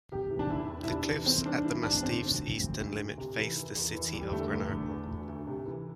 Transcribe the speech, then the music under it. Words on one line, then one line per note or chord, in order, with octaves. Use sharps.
The cliffs at the massif's eastern limit face the city of Grenoble.
C3 G4
E3
D4
E2 E4
E2
E4
C3 D4
E3
E3 C4
G2 D4
E3 E4
G2 D4
D4
D3 C4
D2
D3
D2
D2
D2
C3
E3
E3
E2
E3
E2
G3
D3 A3
E2
D3
E2
D2
D2
C3
E3